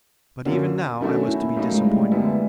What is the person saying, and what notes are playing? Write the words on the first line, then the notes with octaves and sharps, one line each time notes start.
But even now I was to be disappointed.
F#2 D3 F#3 A#3 C#4
D#3 F#3 A3 C#4 D4 F#4
E4
A#3
A2 F#3 A3 A#3 D#4
G#3
G3
F#2 D3 G3 B3 E4